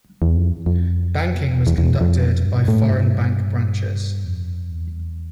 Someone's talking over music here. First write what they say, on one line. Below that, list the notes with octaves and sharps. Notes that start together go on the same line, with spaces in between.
Banking was conducted by foreign bank branches.
E2
F2
F2
E2
E2
E2
F2
F2
G2
A2
G2
F2
E2